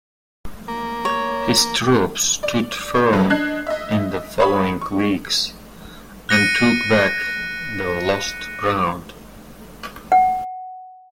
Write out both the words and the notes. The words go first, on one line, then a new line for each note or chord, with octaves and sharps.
His troops stood firm in the following weeks and took back the lost ground.
A#3
C#5
D5
F2 F#3 A4 B4
D4 D#5 F#6 G#6 C7
D#5 E5
C#5 B5 D#6
C#6
F#6 A#6 C#7 D#7
F#5